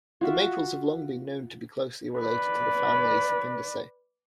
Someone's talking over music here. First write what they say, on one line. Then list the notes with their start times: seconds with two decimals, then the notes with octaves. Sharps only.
The maples have long been known to be closely related to the family Sapindaceae.
0.21 F4 F#4 E5
2.19 B4 D5